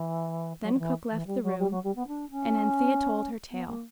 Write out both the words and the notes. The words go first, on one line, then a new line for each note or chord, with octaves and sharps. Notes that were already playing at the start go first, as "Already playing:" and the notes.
Then cook left the room, and Anthea told her tale.
Already playing: E3
F#3
F#3
E3
E3
G3
F#3
G3
F#3
G3
B3
D4
C#4
B3
A#3